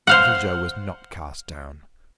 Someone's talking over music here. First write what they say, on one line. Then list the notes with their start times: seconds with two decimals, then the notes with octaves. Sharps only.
Little Joe was not cast down.
0.07 C5 F5 F#5